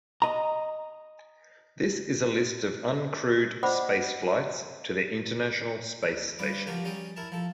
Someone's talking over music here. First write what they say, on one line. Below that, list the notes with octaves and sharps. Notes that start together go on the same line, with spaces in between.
This is a list of uncrewed spaceflights to the International Space Station.
D#5 A#5
C5 D5 D#5 F#5 B5 D6
D2
G2 G3 B4 D6
F3 F#4 G4 A#4
G3 C#4 D#5 G5
E4 A#4 A5
F3 A4